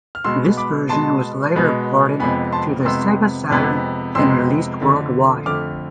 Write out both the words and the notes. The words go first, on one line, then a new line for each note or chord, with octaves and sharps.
This version was later ported to the Sega Saturn and released worldwide.
F6
B2 G#3 B3 C6 E6
B5 D6
B2 G#3 B3 A5 C6
B2 G#3 B3
F2 C3 G#3 B3 G#5 B5
A5 C6
F2 C3 G#3 B3 C6 E6
F2 C3 G#3 B3
F2 C3 G#3 B3 C6 E6
F2 D3 A3
F2 D3 A3 D6 F6